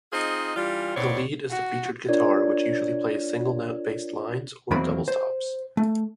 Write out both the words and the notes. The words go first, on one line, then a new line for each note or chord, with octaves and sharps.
The lead is the featured guitar, which usually plays single-note-based lines or double-stops.
C4 D#4 F4 G#4 C5 D#5
E3 G3 D4 F4
D#2 A2 B3 C4 C#5 D5
F#4
D4 F4 A#4 C#5 D5 G#6
E2 D#3 F#3 A#3 C4 B5
C5
A3